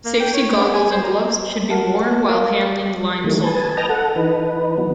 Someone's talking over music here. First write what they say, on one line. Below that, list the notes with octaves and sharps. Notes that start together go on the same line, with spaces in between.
Safety goggles and gloves should be worn while handling lime sulfur.
A#3
G5
C#5
B3
G#5
C5
A#4
A#4 F#5 A5
A#4 F5
D#3 E3 G3 A3 A#3
B4 G#5 A5
B4 D#5 G5 A5 F6 A#6
A4 F#5
E3 D#4 B4
D#3 F#3 B3